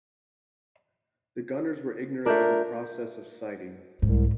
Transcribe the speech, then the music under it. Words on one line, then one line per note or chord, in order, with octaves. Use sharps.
The gunners were ignorant of the process of sighting.
A3 D4 F4 A#4 G6
C2 G#2